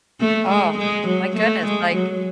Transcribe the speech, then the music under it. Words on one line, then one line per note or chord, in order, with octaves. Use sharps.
Oh, my goodness, like
A3
G#3
G#3
F#3
A3
G#3
F#3